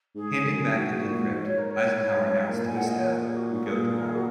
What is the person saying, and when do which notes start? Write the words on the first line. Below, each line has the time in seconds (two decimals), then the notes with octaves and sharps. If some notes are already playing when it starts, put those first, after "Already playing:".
Handing back the decrypt, Eisenhower announced to his staff, We go tomorrow.
0.15 G#2 G#4
0.44 F#2
0.74 G#2 F#4
1.02 A#2
1.32 G#2 D#5
1.44 C#5
1.58 A#4
1.70 C#5
2.49 A#2 A#4
2.65 G#5
2.75 F#5
2.86 D#5
2.97 C#5
3.07 A#4
3.21 G#4
3.36 F#4
3.60 A#4
3.66 A#2 G#4
3.95 A#4
4.05 G#4
4.14 F#4